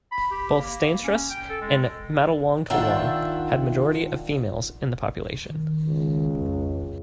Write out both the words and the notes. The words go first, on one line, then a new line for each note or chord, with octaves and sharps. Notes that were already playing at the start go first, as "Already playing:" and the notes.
Both Steynsrus and Matlwangtlwang had majority of Females in the population.
B5
G4
A#3
C#4
G5
A4
G#3
D#3 D4 F4 E5 F#5 G5
D#3
C#2
F2